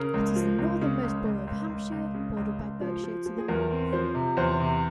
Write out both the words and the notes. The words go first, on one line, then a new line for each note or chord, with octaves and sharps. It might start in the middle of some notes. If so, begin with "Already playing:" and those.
It is the northernmost borough of Hampshire, bordered by Berkshire to the north.
Already playing: C#3 A#4
C#2
F3
C#2
C#3
C#2
C#2
C#2
C#2
C#2
C#3
C#2
C#2
F3
F3
F3
G#4
E2 A#4
C4
F3 C5
C3
E2 C5
C3